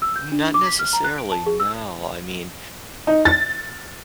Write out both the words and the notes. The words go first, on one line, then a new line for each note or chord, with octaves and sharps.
Not necessarily, no, I mean,
E6
G6
D4
D6
B6
F6
A#5
F#6
D7
A5
G#4
E6
D#4
A6